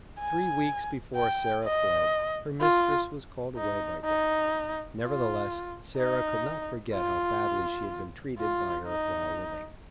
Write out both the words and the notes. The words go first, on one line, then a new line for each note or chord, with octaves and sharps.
Three weeks before Sarah fled, her mistress was called away by death; nevertheless Sarah could not forget how badly she had been treated by her while living.
G#5
G5
D#5
F4
D#4
D#4
F4
D#4
F4
F4
D#4